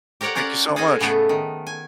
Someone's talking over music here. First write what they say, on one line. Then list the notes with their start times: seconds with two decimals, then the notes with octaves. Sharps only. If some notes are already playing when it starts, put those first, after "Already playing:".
Thank you so much.
0.21 G4 A#4 C#5 D5 F#5
0.35 C#4 F4 A#4 D5 F5 F#5
0.76 G#4 A4 C5 D#5 G#5
1.01 A2 C#3 A3 B3
1.29 D#3
1.67 G#5